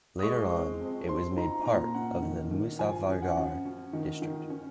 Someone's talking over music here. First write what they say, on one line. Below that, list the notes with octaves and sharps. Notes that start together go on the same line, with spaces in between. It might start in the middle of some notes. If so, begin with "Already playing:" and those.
Later on, it was made part of the Muzaffargarh District.
D#6
G#3 C#6
C4
F2
C4 C6
D#4 A#5
A#2 A#5
C#4 F#5
D#3
D#3
F3 G#5
F#2
F#5
F#2
C#4
D#3
D#3
C#4